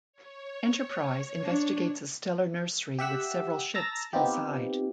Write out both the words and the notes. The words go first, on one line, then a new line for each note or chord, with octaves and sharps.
"Enterprise" investigates a stellar nursery with several ships inside.
C#5
D4
G4 E5 F#5 E6
A5 A#5 E6 A6 A#6
B3 C4 D#4 F4 G4